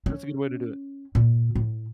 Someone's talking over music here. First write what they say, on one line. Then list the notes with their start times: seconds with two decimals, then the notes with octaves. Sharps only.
That's a good way to do it.
0.06 C#4
1.15 A#2
1.55 A2